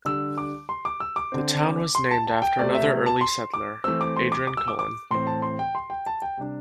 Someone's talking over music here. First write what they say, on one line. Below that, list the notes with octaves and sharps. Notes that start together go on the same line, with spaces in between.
The town was named after another early settler, Adrian Cullen.
D3 G3 D4 E6
D6
C6
D6
E6
D6
D3 C4
C6
A5
A5
G5
C3 A3 C4 D5
E5
A5
C6
D6
E3 A3 C4 E6
D6
C6
D6
D6
E6
D6
D6
A2 E3 C4 C6
A5
C6
G5
C6
G5
A5
G5
C3 G3 D4